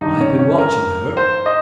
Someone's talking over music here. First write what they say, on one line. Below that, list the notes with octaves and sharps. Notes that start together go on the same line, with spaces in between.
I have been watching her.
G2 D#3 D#4
C#4
C#4
A#4
C5
D#5